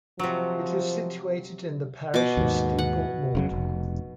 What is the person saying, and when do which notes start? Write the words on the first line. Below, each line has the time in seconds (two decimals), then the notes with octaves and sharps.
It is situated in the parish of Steeple Morden.
0.19 C3 F3 F#3
2.14 B2 D6
2.37 D#2 G#2
2.79 F#5
3.35 F1 C#3 F#3
3.51 F1